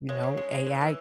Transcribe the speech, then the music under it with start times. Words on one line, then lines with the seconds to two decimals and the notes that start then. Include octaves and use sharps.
you know, AI
0.09 G#3 C#5
0.23 C#3
0.37 G#3
0.52 G#3
0.67 E3
0.81 E3